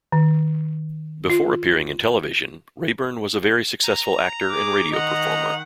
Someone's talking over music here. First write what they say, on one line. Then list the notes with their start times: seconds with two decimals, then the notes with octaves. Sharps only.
Before appearing in television, Rayburn was a very successful actor and radio performer.
0.12 D#3
1.30 F4
3.84 A#5
4.51 G#4 D6
4.92 D#3 D#5 F#5 A#5